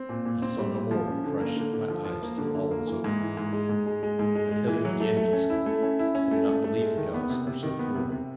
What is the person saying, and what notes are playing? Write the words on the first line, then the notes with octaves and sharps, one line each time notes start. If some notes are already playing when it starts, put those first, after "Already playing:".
I saw no more, for I shut my eyes till all was over. I tell you again, Giscon, I do not believe the gods are so cruel.
Already playing: C4
A#2
A#2
C4
G3
A#2
F3
C#4
D3
A#3
D3
D3
F3
F3
A#3
D3
D3
A#3
E3
G#2
E3
G#2
G#3
G#2
G#3
G#3
G#2
G#3
G#3
E3
F#3
A3
A3
C#4
E4
A3
C#4
E4
C#4
A3
A3
A3
G#3
D#3
B3
C3
C3
D#3
B3
C3
C3